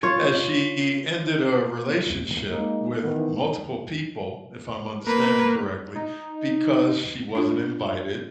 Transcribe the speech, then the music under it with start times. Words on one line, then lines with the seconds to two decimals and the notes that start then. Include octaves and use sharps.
that she ended a relationship with multiple people, if I'm understanding correctly, because she wasn't invited
0.03 F4 C#5
2.49 G#3 A#3 D#4
3.03 D#3 E3 B3
5.07 A#3 B4
5.96 D#4
7.35 D4 F4